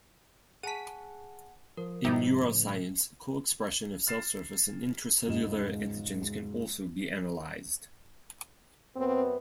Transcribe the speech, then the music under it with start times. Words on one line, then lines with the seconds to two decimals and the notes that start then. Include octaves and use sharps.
In neuroscience, co-expression of cell surface and intracellular antigens can also be analyzed.
0.63 G#4 F#5 G#5 A5 B6 D#7
1.77 F3 A#4
2.05 G#2 D3 G3 D#4 E4 G4 C5 A6
2.41 A2 C#3 A3
4.07 F6 A6 C7 E7
5.28 E1 C#2 G#2 C#3 D#5 E7
8.96 F#2 B3 C4 B4